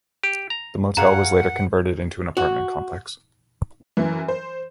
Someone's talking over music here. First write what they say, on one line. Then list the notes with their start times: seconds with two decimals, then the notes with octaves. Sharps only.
The motel was later converted into an apartment complex.
0.23 G4
0.50 A#5
0.97 F#2 F#4 G#4 F5 F#5 A#5
2.37 F#4
3.97 F#2 E3
4.28 C5